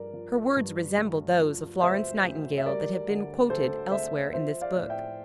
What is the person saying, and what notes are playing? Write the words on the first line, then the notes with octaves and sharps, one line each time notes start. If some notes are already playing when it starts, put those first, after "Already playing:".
Her words resembled those of Florence Nightingale that have been quoted elsewhere in this book.
Already playing: G2 F3 A#4 D5
F3
G2
D2
F3
D2 C5 E5
D2
E5
G3 A#4 D5
D3
D2 A4 C5
D2 C5 E5
F3 C5 E5
D5 F5
A2
E5 G5